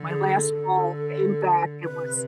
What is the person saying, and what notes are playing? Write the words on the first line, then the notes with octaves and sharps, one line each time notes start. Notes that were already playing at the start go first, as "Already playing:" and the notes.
my last bowl came back, it was
Already playing: D3
G#4
A4
D3
C3 B4